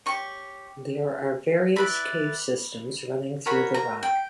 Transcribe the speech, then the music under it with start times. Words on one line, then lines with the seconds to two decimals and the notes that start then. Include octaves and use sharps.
There are various cave systems running through the rock.
0.06 G4 C#5 C#6
1.76 E4 B4 D5 B5
3.46 F#4 A#4 C#5 B5
3.74 A#5
4.03 G5